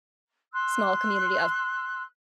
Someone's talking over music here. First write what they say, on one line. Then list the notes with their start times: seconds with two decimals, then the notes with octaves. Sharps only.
small community of
0.52 C6 E6 F#6